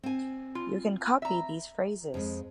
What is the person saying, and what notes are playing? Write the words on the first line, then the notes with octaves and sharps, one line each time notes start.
You can copy these phrases.
C4 G#5
F4
E5 A#5
F2 G#3